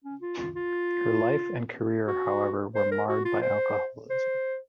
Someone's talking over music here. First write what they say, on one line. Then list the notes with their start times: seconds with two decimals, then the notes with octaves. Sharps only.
Her life and career, however, were marred by alcoholism.
0.04 C#4
0.21 F4
0.38 F4
0.55 F4
2.07 F#4
2.75 C5
2.92 A#4
3.09 F#4
3.25 F4
3.42 C5
4.10 C5